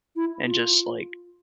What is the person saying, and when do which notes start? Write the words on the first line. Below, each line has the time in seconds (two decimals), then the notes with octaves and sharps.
and just, like,
0.16 E4
0.46 F4